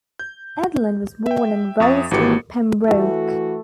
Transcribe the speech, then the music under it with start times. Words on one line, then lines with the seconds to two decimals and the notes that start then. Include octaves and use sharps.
Edlund was born and raised in Pembroke.
0.19 G6
1.27 E5 G5
1.80 F2 E5 C#6 D#6 A6
2.11 G#1 E3 F#4 G4 D6 C#7
2.88 E3 A3 F#4